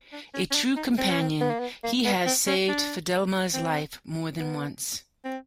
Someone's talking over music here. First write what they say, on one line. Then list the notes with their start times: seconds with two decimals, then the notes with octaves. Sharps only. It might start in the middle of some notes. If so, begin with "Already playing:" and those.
A true companion, he has saved Fidelma's life more than once.
0.12 D4
0.34 C#4
0.50 C#4
0.55 D4
0.76 D#4
0.98 C4
1.09 C#4
1.21 C4
1.40 B3
1.50 A#3
1.59 B3
1.84 A#3
2.05 B3
2.26 C4
2.47 C#4
2.68 D4
3.54 C4
4.39 B3
5.24 C4